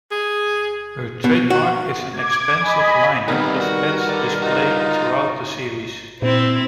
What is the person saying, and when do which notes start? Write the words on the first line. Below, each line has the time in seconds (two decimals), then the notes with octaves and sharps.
Her trademark is an expansive lineup of hats displayed throughout the series.
0.12 G#4
1.24 B2
1.50 F#4
2.13 D6 G#6
2.60 D#5 G#5 B5
3.28 D#3 G3 B3 C4 D#4 A#4
3.60 F#4
4.09 A4 D5
4.42 D#4 F4 F#4
6.22 A#2 C4 E4